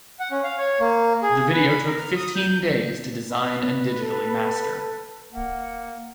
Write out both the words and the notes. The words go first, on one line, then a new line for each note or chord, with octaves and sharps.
The video took fifteen days to design and digitally master.
F#5
C#4
F5
C#5
A#3
G#4
B4
B5
A#4
F6
D#6
G6
B4
A4
A#3 F#5